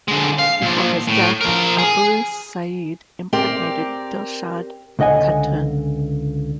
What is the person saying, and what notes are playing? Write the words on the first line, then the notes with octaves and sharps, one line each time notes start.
Before his death, Abu Sa'id impregnated Dilshad Khatun.
D3 G#3
F5
A#2 F3
A2
F3 A#4
G#4
C4 G4 A#4 D5
C#2 D3 D#5 F#5 G#5